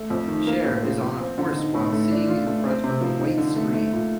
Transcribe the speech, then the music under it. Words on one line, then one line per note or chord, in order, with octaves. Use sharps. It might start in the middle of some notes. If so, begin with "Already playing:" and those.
Cher is on a horse while singing in front of a white screen.
Already playing: A3
F2
D#3
A#3
A2
F3
F3
C4
D3
D#4
A2
A3
D4
F4
A3
C4
C3
F3
D#4
D3
A3
A3
A#2